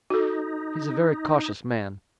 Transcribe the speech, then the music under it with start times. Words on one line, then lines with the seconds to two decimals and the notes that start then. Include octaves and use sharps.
He's a very cautious man.
0.10 D#4 F#4 A4